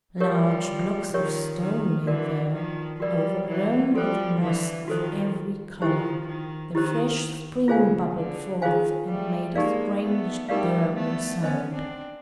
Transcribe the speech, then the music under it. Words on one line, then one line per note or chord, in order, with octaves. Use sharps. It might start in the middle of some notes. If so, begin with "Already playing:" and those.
Large blocks of stone lay there, overgrown with moss of every color; the fresh spring bubbled forth, and made a strange gurgling sound.
F3 G3 G4 A#4 C#5
D#3 F3 G4 A#4 C#5
D#3
D3 E3 F#4 A#4 D5
D#3 F3
F3 G3 F#4 A#4 D5
E3 F#3
F3 G3 F#4 A4 C5
D3 E3
D#3 F3 F#4 A4 C5
D#3 F3 E4 G4 C5
D#3
D#3 E4 G4 C5
C#3 F4 G#4 C5 F5 G#5
D3
D#3 F4 G#4 C5 F5 G#5
G3 A3
G#3 A#3 D#4 G4 A#4 D5 F5
A3 B3
G3 A3 D#4 G4 A#4 D5 F5
A3 B3
B3 C#4 C5 D#5 G#5
C4 D4